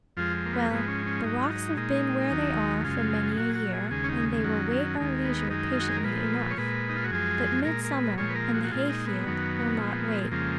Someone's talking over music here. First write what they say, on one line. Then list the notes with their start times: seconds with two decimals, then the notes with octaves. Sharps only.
Well, the rocks have been where they are for many a year, and they will wait our leisure patiently enough: but Midsummer and the hay- field will not wait.
0.17 F2 F3 G#3 F4
0.46 A#3
0.53 B3
0.70 G#2 F3 G#3 B3
0.88 C#4
1.06 C#4
1.24 G#2 F#3 D#4
1.46 F4
1.50 D#4
1.77 A#2 G#3 D#4
2.31 D#2 D#3 F#3
2.84 F#2 C#3 G#3 F4
3.37 A#2 F#3 F#4
3.50 G#4
3.55 F#4
3.73 G#4
3.91 D#2 C#3 G#3 G#4
4.04 C#4
4.09 D#4
4.44 F#2 D#3 F#3 C#4
4.71 C#4
4.97 D#2 D#3 G#3
5.25 B3
5.50 F#2 D#3 G#3 D#4
5.72 F4
5.80 F#4
5.89 G#4
5.97 A#4
6.04 A#2 F3 G#3 B4
6.51 C#5
6.57 A#2 G#3 B4
6.89 D#4
6.96 F4
7.04 F#4
7.11 F#2 F3 G#3 G#4
7.65 A#2 G#3 A#4
7.85 A#4
7.91 B4
8.18 A#2 F3 G#3 C#5
8.30 B4
8.36 A#4
8.54 F#4
8.64 F#4
8.71 A#2 G#3 F4
8.89 D#4
9.07 B3
9.25 F#2 D#3 F#3
9.78 A#2 F3 G#3
10.32 F2 C#3 F3 G#3 A#3